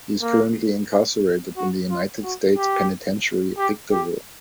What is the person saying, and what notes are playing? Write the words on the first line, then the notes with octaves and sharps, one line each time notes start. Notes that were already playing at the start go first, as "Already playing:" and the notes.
He is currently incarcerated in the United States Penitentiary, Victorville.
A#3
F#4
F4
F#4
G4
G4
G4